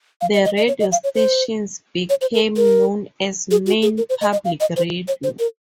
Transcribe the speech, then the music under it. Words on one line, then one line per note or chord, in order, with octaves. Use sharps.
The radio stations became known as "Maine Public Radio".
F5
D#5
D#5
D#5
C#5
D#5
F5
C#5
C5
C#5
C5
A#4
A#4
G#4
F#4
G#4
A#4
C5
D#5
D#5
F5
D#5
C5
C#5
C5
A#4